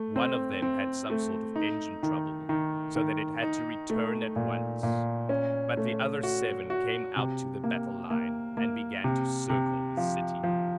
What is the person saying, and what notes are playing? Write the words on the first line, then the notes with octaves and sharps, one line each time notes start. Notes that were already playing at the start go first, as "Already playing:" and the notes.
One of them had some sort of engine trouble, so that it had to return at once; but the other seven came out to the battle-line and began to circle the city.
Already playing: A3
C4
C4
A3
D#4
D#3
D#3
D#3
D#4
A3
A#2
A#2
C#4
A3
F#4
F#4
C3
A#3
A#3
A#3
C3
C3
F3
F3